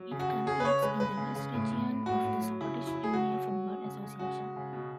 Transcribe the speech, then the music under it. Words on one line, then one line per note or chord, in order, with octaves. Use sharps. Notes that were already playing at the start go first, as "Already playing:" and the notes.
It competes in the West Region of the Scottish Junior Football Association.
Already playing: F#3
C#3
F#4
C#3
C#3 G#4
B4
C#3 C#5
G#3 B4
G#3 B4
C#3
C#3
A2
A2
A2
A2 F#4
A2
F#3
C#3 E4
F#3
E4
F#3
G#4
C#3 F#4
F#3
F#3
G#3
C#3
G#3
C#3 F#4
G#3
C#3
B2